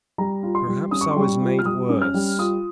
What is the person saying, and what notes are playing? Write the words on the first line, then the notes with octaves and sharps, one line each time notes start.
Perhaps I was made worse.
G3 A#5
F4
C6
G3
C#4 D#6
C#6
C6
G3 C#6
F4
F6
G3 D#6
C#4
F6
G3
F4 D#6